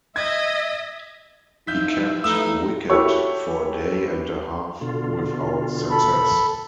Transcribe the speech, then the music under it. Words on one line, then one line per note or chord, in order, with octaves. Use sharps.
He kept wicket for a day and a half without success.
D#5 E5 G#6
F3 D#4 E4 G6 B6
A3 D#4 B4 E6
E4 F#4 G4 A4 C#5 C#6
B2 D3 F4
A4 B5